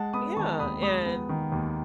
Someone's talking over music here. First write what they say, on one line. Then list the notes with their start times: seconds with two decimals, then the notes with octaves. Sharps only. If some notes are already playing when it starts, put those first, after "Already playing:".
Yeah, and
Already playing: G#3 F#5 A5
0.13 B3 B5 D#6
0.37 D#3 A5 C#6
0.59 D#2 B5 D#6
0.82 G#3 B5 D#6
1.06 B3
1.29 D#3
1.52 D#2